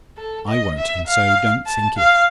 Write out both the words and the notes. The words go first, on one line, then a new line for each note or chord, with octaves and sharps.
I won't, and so don't think it.
A4
D#5
E5
F5
A5
F5